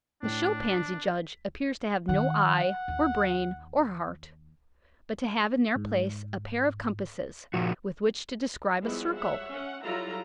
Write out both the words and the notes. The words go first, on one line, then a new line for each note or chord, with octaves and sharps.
The show-pansy judge appears to have no eye, or brain, or heart, but to have in their place a pair of compasses with which to describe a circle!
A2 D4
B6
D#3 F#5
D#2
G#2
A#2 F3 F#4
F3 G3 G#3 B3 E4 F#4
C#5 E5 F#5
C#4 F#5
F#3 G3 E4 F4 A4 A#5